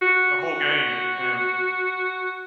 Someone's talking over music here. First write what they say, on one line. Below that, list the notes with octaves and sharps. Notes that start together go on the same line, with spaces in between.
the whole game and and
F#4
F#4